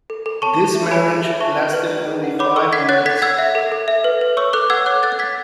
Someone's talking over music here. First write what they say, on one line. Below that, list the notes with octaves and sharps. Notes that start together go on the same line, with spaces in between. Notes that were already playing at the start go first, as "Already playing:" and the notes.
This marriage lasted only five months.
A4
A4
C#5 A5 C#6
A4
E5
C#5 G#5 B5
G#4
E5
E5 A5 C#6
B4
B4
D5
G#4
F#5
C#5 B5 D6
A4 C#6 E6
F#5 G#6 B6
C#5 F#6 A6
A4 G#6 B6
F#5 E6 G#6
E5
A4
A4
E5
B4
B4
C#5 C#6 E6
A4 D6 F#6
F#5 E6 G#6
C#5 D6 F#6
A4 F#6 A6
F#5 G#6 B6